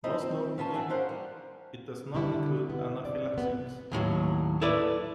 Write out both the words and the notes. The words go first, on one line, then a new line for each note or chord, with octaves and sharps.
Most notably, it does not include anaphylaxis.
F3 G3 D#4 E4 C5 D#5
C4
C#4 F4 B4 A5
G#4 E5 F#5
C#4 A#4 C5 F5 F#5
G3
D3 G3 E4 A4
B3
D5
C3 B3
D#2 A2 D3 F#3
E4 A4 B4 D5